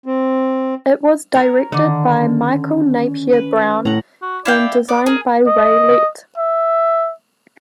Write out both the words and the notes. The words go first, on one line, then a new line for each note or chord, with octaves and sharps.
It was directed by Michael Napier Brown and designed by Ray Lett.
C4
A#4 C#5
D3 D#3 D6
C#4
B4
A2 F#5 A#5
F#4
E4 D5 F5 G5
B3 D5
G#4 A#4
D#5
E5